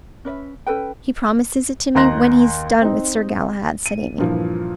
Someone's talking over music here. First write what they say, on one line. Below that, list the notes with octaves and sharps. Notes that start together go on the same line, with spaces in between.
He promises it to me when he has done with Sir Galahad,' said Amy.
C#4 B4 D5 E5
C#4 A4 B4 G5
D#2 D#5 A#5 C6 F#6 A#6
C4 D#4
D#7
G2 A#2 E3 F3